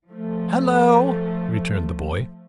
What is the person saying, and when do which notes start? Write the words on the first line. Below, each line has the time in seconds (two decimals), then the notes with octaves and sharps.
"Hallo!" returned the boy.
0.10 F3 A3